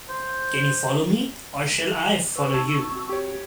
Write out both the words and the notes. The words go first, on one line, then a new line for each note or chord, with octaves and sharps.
Can you follow me or shall I follow you?
C5
B4 C#6 E6
G#1 D#4 A5 G#6
C4 F#4
G4 C#5